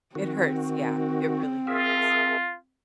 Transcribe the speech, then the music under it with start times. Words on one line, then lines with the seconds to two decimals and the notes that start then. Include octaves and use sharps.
It hurts, yeah, it really hurts.
0.15 D#3 C4 F#4
1.67 F4 G#4 A#4 E5